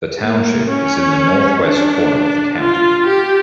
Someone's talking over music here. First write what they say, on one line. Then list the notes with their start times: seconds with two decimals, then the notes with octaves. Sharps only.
The township is in the northwest corner of the county.
0.22 A#3
0.69 C#4
1.64 D4
2.59 F4
3.07 G4